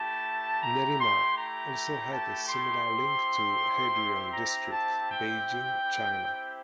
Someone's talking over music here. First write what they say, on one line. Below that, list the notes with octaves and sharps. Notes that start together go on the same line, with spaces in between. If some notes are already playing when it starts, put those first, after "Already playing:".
Nerima also has a similar link to Haidian District, Beijing, China.
Already playing: A3 E4 G4 A5
A#5
C6
A#5
A5
C6
C4 E4 G4
A#5
A5
G5
C4 E4 G4